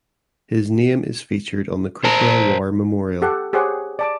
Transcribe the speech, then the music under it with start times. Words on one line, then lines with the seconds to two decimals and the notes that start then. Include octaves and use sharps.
His name is featured on the Crookwell War Memorial.
2.04 C5 A5 A#5
3.22 G4 A4 F#5
3.53 G4 G#4 C5 C#5 F#5
3.99 D5 A5 D6